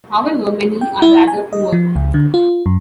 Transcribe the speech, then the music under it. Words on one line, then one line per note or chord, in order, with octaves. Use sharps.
However, many are rather poor.
G5
E4
G#5
D#5
F3
C#2
D3
F4
F#2